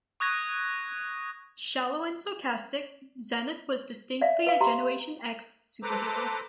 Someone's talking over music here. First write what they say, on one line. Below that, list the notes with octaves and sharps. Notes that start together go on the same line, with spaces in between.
Shallow and sarcastic, Zenith was a distinctly Generation X superhero.
C#6 D#6 F#6 G#6 A#6
D5 E5 F5
B4 F5
G4 A#5 C6
A4 B4 C5 A#5 D6